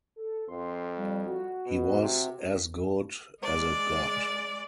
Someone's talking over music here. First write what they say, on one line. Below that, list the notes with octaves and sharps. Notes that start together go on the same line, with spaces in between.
He was as good as it got.
A4
F2 C6
G3
F#4
B2
C3
G#3 D5